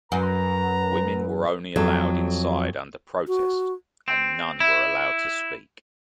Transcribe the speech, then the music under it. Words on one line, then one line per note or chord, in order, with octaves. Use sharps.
Women were only allowed inside under protest and none were allowed to speak.
F#2 B4 A#5
F2 F#3 A4
F#4
C4
E4